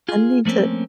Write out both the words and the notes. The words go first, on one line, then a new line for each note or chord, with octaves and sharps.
I need to
F4 G#4
F3 A3 A#3 C4 C#4